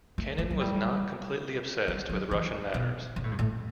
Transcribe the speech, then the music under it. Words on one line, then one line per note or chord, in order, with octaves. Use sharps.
Kennan was not completely obsessed with Russian matters.
A3
A3
F#3
G3
G3
F#3
E3
B2
B2
A2
G2
A2